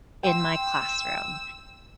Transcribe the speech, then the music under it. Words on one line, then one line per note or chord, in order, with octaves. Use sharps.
in my classroom.
G5 C6 E6